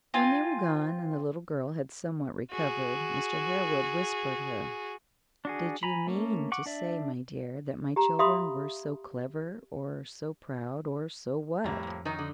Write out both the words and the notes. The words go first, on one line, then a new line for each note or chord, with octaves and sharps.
When they were gone, and the little girl had somewhat recovered, Mr. Harewood whispered her--"Did you mean to say, my dear, that my children were so clever, or so proud, or so what?"
C4 F4 G#5
F#4 G#4
D4 F#4 G#4
G#5 A#5 B5
A3 A#3 C#4
F#5 C#6 D6
D4 D5 E5
G4 A#5
G4 E5 F5 B5 C6 D#6
F2 A2 G3 A3 A#3
F3 A#3
D#3 F#3 D#4 D#6
D3